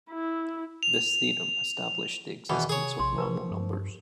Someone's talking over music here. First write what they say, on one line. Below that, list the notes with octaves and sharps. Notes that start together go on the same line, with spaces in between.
This theorem established the existence of normal numbers.
E4
F7
E2 B2 D#3 B5
C3 G#4 C#5
A#1 C3 C6
F3 A#4 B4 C#6
G2
G4